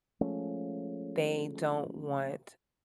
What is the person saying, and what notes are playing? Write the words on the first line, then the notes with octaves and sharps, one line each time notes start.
they don't want
F3 G#3 A3 C#4